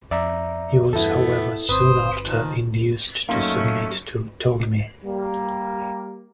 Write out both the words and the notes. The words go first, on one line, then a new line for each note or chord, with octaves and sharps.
He was, however, soon after, induced to submit to Ptolemy.
F2 D5 E5 A#5
E2 G2 A3 B3 E4 A4
G1 C4 B4 C5 D#6
D#3 F3
F#2 A3 A#3 C#4 D#4 F5 C6
G3 A#3